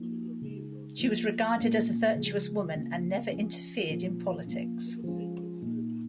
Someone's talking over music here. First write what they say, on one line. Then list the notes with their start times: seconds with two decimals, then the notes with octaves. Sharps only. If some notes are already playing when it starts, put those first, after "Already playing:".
She was regarded as a virtuous woman and never interfered in politics.
Already playing: F3 A#3 D#4
0.41 C#3 G#3 D#4
0.99 F3 A#3 F4
1.57 A#2 A#3 C#4
2.15 C#3 F3 G#3
2.72 C#3 A#3 C#4 F4
3.31 F3 C#4 F4
3.88 A#2 F3 C#4 F4
4.46 F3 A#3 C#4 F4
5.04 F3 G#3 C#4 F4
5.61 A#2 A#3 D#4